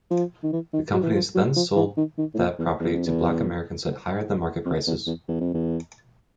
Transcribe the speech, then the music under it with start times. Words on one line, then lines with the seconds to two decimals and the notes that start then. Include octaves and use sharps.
The companies then sold that property to black Americans at higher-than-market prices.
0.11 F3
0.43 D#3
0.53 E3
0.73 D#3
0.93 F#3
1.03 E3
1.14 F3
1.35 F#3
1.56 F3
1.76 E3
1.97 D#3
2.18 D#3
2.35 A2
2.38 A#2
2.59 E2
2.80 E2
2.94 F2
3.06 E2
4.65 F2
4.87 E2
5.07 E2
5.28 E2
5.40 F2
5.54 E2